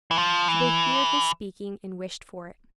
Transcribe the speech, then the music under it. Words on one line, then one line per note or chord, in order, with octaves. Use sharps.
She both feared his speaking and wished for it.
E3
F3
E3